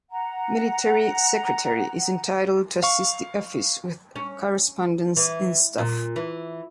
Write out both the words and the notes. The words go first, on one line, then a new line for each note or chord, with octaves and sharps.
Military Secretary is entitled to assist the office with correspondence in staff.
F#5 A#5
F5 C#6
C#4
E3
A#2
E3